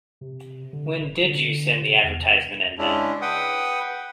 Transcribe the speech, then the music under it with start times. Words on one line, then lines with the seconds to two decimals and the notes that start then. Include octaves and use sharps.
When did you send the advertisement in, then?
0.21 C3
0.73 D3
0.99 D1
1.25 D3
1.44 D3
1.81 C3
2.03 E2
2.78 C#3 G#3 C#4 D4 E4
3.22 B4 F#5 G5 D#6